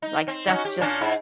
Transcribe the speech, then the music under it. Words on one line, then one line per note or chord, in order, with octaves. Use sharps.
like, stuff just
D#4
C4
C#4 D#4 F#4
G4
A#2 C#4 D4
G#2 E4